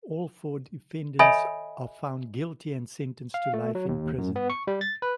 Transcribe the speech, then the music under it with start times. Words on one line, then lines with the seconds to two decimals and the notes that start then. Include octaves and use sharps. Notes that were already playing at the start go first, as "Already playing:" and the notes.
All four defendants are found guilty and sentenced to life in prison.
1.19 A4 C#5 D#5 E5 G#5 B5
3.34 F5
3.54 A3
3.75 F#3
3.88 D#2
4.18 F#2
4.36 B3
4.50 C#6
4.67 G3
4.81 A6
5.02 B4